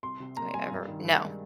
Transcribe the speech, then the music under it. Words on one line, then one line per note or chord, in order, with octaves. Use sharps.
Do I ever no.
C2 C6
C3
A#3 A#5
G3 G#5
G2
D#3
G2
G#3